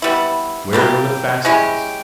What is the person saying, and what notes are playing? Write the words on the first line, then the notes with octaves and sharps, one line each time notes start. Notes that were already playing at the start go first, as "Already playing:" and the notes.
Where were the fastenings!
E3 G3 B3 E4
G3 A#3 E4 G4
G#3 C#4 E4 G4